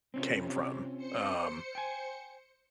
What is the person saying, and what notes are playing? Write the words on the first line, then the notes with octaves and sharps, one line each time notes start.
came from. Um.
C3 C4 C#4 F4
C5 C#7
G5 G#5